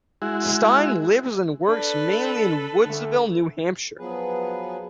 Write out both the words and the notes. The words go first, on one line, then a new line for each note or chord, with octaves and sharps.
Steyn lives and works mainly in Woodsville, New Hampshire.
G#3 E4 F#4
D4 A4 B4
D3 A3
F3 F#3 B3 G#4 B4